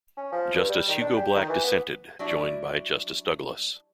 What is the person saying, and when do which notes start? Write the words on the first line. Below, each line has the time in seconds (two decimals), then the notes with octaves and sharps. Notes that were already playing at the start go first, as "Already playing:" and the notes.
Justice Hugo Black dissented, joined by Justice Douglas.
0.17 C#4
0.32 F3
0.55 G2
0.69 G3
0.89 D#3
1.01 D4
1.17 G4
1.36 D#3
1.49 E3
1.64 B3
2.19 F#3 G3 D4 E4